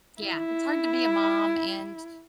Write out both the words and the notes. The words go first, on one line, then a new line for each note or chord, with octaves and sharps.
Yeah, it's hard to be a mom and
E4